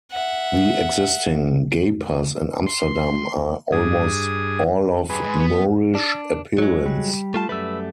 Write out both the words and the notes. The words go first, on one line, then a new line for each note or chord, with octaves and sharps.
The existing gapers in Amsterdam are almost all of Moorish appearance.
E5 F#5
C6
G2 G#4 D#6
G2 F#3 G#4 B4
F2 G#2
B3
D4
F#3 G#3
G3
A3 F4 A5
F#2 G3 A3 B4 E6